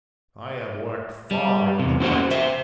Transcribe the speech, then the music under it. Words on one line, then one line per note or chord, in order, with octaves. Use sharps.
I have worked far into the night.
G3
E2 C3
A#3 C#4 F#4 A4 C5 F#5
C5 E5